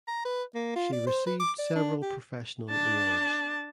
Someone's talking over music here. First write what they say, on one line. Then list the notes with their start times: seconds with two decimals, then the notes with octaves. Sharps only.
She received several professional awards.
0.08 A#5
0.25 B4
0.55 A#3
0.76 F4
0.93 D5
1.06 C5
1.26 B4
1.40 D6
1.59 D5
1.75 D4
2.02 G4
2.71 D4 A5